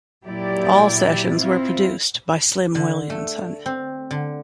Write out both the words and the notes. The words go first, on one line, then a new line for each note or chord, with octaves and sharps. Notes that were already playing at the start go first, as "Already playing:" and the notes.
All sessions were produced by Slim Williamson.
A#2 F#3 E4 G4 D5
C4 E4 F4
D3
A3
C4
D3